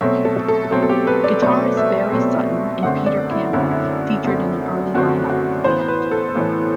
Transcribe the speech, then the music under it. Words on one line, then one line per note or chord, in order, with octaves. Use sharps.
Guitarists Barry Sutton and Peter Cammell featured in an early lineup of the band.
B2 F#3 A3 C4 E5
A4
A4
B2 F#3 A3 C4 A4
A4
G4
B4
D5
B2 F#3 A3 C4 D5
E5
B2 F#3 A3 C4
F#2 D3 A3 C4 F#5
D5
E4
F#2 D3 A3 C4 E4
E4
F#2 D3 A3 C4
F#2 D3 A3 C4 F#4
F#4
A2 E3 B3 C5
B4
A4
A2 E3 B3